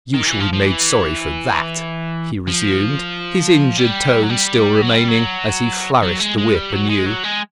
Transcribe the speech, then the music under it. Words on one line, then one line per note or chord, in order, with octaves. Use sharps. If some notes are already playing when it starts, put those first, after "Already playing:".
"You shall be made sorry for that!" he resumed, his injured tone still remaining, as he flourished the whip anew.
D#3
E3
F3
F3
E3
F3
G3
F#3
G3
F#3
G3
F#3
F#3
G#3
G#3
G3
F#3
G#3
F#3
G#3